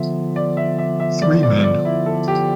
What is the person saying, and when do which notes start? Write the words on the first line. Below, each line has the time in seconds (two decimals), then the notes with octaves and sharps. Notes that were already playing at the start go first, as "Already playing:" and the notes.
Three men.
Already playing: D3 F3 B3 F4 E5
0.36 D5
0.57 E5
0.78 E5
1.00 E5
1.22 D5
1.43 D5
1.63 D5
1.85 E4
2.06 A4
2.28 G4